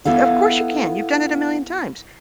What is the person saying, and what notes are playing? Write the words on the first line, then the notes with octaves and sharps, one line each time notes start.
"E 'Of course, you can. You've done it a million times.
B3 E4 A4 F5